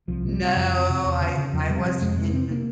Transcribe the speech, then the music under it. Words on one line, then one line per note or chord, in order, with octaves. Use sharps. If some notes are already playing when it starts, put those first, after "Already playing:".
No. I I wasn't in
C2 F3
C3 G#3
G3
C3
F2 F3
C3
C3
E2
C#3
C#3
E2 F3
C3 G3
C3 F3
F2 G#3
C3 G#3
C3 C4
A#3